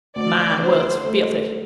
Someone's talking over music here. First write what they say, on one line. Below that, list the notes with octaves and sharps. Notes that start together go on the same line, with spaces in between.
Mine was filthy.
D2 D5
D3 C5
A3